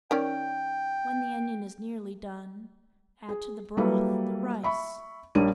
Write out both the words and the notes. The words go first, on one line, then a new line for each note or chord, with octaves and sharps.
When the onion is nearly done, add to the broth the rice.
D#3 C#4 D5 G5
G#4
F#3 G3 A#3 E4 A4 B4
E5 B5 C#6
A#1 G3 D4 A#4 C#5 D#7